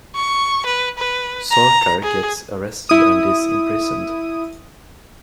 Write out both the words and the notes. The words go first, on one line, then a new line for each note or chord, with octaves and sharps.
Sarkar gets arrested and is imprisoned.
C#6
B4
B4
A#5
G#4
E4 D#6